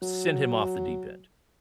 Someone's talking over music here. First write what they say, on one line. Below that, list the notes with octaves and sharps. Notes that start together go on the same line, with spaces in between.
sent him off the deep end.
F#3